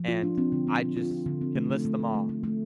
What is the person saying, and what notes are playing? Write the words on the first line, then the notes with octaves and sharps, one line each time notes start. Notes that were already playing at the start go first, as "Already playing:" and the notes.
and I just can list them all.
Already playing: F3
F4
D4
C4
D3
C4
C4
F4
F4
D3
C4
A3
A3
A3
A3
A3
A3
A3